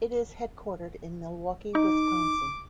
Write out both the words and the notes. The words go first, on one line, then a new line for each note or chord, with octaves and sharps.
It is headquartered in Milwaukee, Wisconsin.
D#4 D6